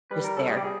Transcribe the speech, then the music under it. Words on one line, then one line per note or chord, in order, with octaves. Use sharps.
just there.
G3 B4
A#4
A4
G#4
G4
G#4